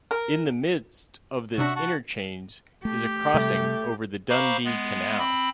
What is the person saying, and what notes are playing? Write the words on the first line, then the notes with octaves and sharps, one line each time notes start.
In the midst of this interchange is a crossing over the Dundee Canal.
A#4
C3 C#4 D4 F#4 E5
F#4 A5
A3 G4
C3 G3 A3
C5 F5 A#5 B5 C#6 D6
G#3 B3
C4 B5